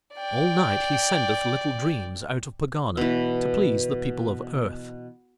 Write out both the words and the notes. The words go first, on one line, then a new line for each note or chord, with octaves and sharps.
All night he sendeth little dreams out of Pegana to please the people of Earth.
D5 G5
B2 E3